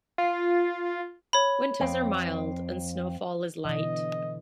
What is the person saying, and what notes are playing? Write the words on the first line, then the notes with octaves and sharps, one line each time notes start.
Winters are mild and snowfall is light.
F4
C#5 B5
F2 C4
B2 D3 E3 D#5